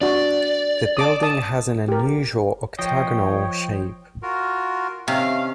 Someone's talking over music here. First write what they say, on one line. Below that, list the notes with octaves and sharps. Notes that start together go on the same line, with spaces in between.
The building has an unusual octagonal shape.
D4 F#4 D5
A5 D6 D#6
A5 D#6
G4 A#4
F3 C#5 D#5 G5
F4 F#4 A#4
C3 D#3 C#4 F5